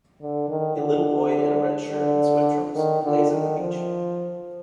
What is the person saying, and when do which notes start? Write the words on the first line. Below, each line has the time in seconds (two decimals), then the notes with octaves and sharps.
A little boy in a red shirt and swim trunks plays at the beach.
0.22 D3
0.49 D#3
0.77 D3
1.90 D3
2.75 D#3
3.03 D3
3.32 D#3
3.60 F3